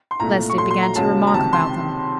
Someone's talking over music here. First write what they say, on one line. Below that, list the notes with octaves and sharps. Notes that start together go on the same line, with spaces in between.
Leslie began to remark about them.
C6
C2 A#2 A3 A#5
C#6
A#2 F#3 A3 C6
C6
A#5
C#2 C#3 F#3 A#3 A5
A#5
C#2 C3 D#3 A5
C6